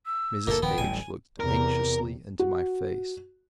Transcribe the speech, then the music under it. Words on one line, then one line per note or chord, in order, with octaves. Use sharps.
Mrs. H-- looked anxiously into my face.
E6
G1 D#2 A#2 A#3 A4
D#1 D#3 F3 B3 G5
D1 A1 G3 G#5
E2 C3 A#4
F#4